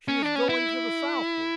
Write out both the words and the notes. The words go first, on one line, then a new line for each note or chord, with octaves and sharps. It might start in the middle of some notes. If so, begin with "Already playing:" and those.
"She is going to the southward."
C#4
D4
C#4
E4